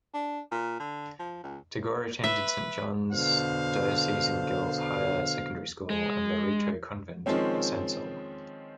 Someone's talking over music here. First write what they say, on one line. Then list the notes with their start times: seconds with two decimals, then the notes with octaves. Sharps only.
Tagore attended Saint John's Diocesan Girls' Higher Secondary School and Loreto Convent, Asansol.
0.14 D4
0.51 A#2
0.80 D3
1.19 F3
1.43 C#2
2.24 B4 E5
3.12 B2 D3 A4 C5 F5
5.90 G#3
7.26 D#3 F3 G#3 C4 C#4